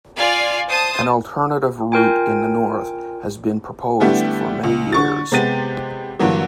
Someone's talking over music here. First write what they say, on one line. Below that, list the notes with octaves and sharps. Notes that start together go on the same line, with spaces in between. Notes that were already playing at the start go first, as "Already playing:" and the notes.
An alternative route in the north has been proposed for many years.
F4 D5 F5 G#5
C5 A5 D#6
F4 A#4 G5 G#5
D3 G3 A3 B3 E4 G4
C#2
D3 C#6 A6
C3 G#3 B3 G4 A6 D#7
G2 D3 E3 F#3 A#3 F#4